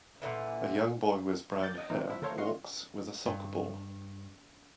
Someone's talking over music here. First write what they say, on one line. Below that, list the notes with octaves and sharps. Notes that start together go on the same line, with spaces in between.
A young boy with brown hair walks with a soccer ball.
A#2 D3 E3
D5 G6 A6
D#5
C3 E3 C4 D#4 A#4
F3 E4
D3 A3 A#4 C5 C#5 F5
D#5 F5 F#5 C6 C#6
G2